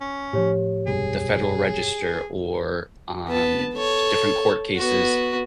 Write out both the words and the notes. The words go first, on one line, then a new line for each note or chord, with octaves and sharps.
the Federal Register, or, um, different court cases
C#4
A2 F3 G4 C#5
F1 B1 G2 G#4
B3 A5
A4 C#5
B3 F#4